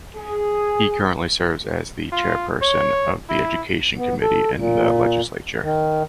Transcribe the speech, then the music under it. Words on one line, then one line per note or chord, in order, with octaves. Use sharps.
He currently serves as the chairperson of the education committee in the legislature.
G#4
F4
C#5
E4
B3
A4
A#2
D#3